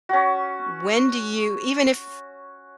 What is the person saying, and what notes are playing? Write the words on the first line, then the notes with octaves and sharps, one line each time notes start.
When do you even if
C#4 F#4